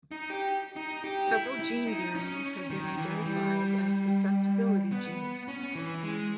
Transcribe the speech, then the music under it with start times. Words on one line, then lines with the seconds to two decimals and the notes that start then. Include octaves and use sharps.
Several gene variants have been identified as susceptibility genes.
0.11 D#4
0.30 G4
0.76 D#4
1.04 G4
1.31 E4
1.60 E4
1.87 D#4
2.15 C#4
2.70 D#3
2.97 E3
3.26 G3
4.92 B3
5.48 C#4
5.75 E3
6.03 G#3